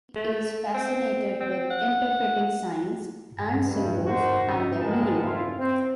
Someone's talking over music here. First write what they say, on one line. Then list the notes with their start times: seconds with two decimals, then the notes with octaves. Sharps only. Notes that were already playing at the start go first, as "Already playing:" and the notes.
He is fascinated with interpreting signs and symbols, and their meaning.
0.16 A3
0.75 C4
1.40 C4
1.70 F#5
3.65 G2
4.07 D#4 F#4 A#4 C5
4.47 C#4 D#4 D#5 E5
4.81 G#2 G#3 B3 C4 A#4 A5
5.23 F#1 F2 E4 F4
5.58 C4